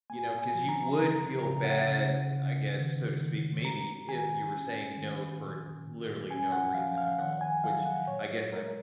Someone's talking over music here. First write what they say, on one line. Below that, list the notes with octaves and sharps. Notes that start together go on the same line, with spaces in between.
you know, 'cause you would feel bad, I guess, so to speak, maybe, if you were saying no for literally no reason at all, which I guess, I
A#3 G#5
G#5
F3
A#5
C#3 A#5
C#3 A#5
F#5
C#3
C#3
D#3
D#3
G#3 A#5
D#3 G#5
C#4
D#3
A#2
A#2
C#4 G#5
F#5
F3 F5
F5
D#3 F#5
G#5
F#3 F5
F#5
A#2 C#5
G#3 A#4